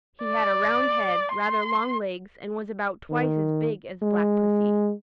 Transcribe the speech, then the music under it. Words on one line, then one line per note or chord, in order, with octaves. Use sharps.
He had a round head, rather long legs, and was about twice as big as Black Pussy.
D5
C6
D#3
G#3